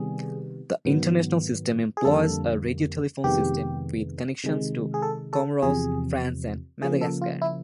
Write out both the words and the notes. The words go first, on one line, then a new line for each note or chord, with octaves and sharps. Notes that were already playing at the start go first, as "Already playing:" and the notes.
The international system employs a radiotelephone system, with connections to Comoros, France and Madagascar.
Already playing: C3 D#3 G3 B3 G#4
G#2 D#3 F#3 B3
G#4
F2 D3 G3 A#3 A4
F2 C3 D#3 G#3 B3 G4
C3 D#3 G#3
G#4
A4
A4
E2 C3 F3 G#4
C#3 F3 A#3 G#4
A4
F4
E4